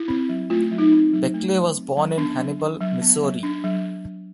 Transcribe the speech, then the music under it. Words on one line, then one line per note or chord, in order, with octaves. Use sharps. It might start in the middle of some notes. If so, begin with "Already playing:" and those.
Beckley was born in Hannibal, Missouri.
Already playing: E4
C4
F#3
A3 F4
F#3
D#4
C4
F#3
A3
F#3
C4
F#3
B3 D4
F#3
D4
F#3
B3
F#3
D4
F#3